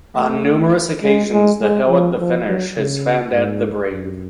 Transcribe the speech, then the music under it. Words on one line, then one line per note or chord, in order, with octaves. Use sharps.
On numerous occasions the hill at the finish has found out the brave.
A3
G#3
G#3
G#3
F3
F3
F#3
C#3
G#2
F#2